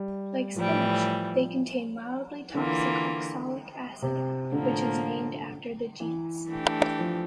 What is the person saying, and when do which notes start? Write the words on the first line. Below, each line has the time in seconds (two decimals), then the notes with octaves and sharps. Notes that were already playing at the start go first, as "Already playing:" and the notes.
Like spinach, they contain mildly toxic oxalic acid, which is named after the genus.
Already playing: G3
0.56 A2 E3 F3 G3
2.54 D3 E3 A#3 F4
4.02 C3
4.52 A2 D3 F3 A#3
6.00 E3
6.50 E3 A3 D4 G4
6.99 F3